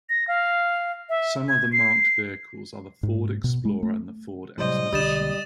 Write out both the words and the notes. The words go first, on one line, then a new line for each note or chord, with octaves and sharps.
Some other marked vehicles are the Ford Explorer and Ford Expedition.
A#6
F5
E5
G#6
C7
G#2
B2
G#3
A3
A2 C3 F#3 G3 A3 C5 D#5
B1 D3 G3 D#6 A6 E7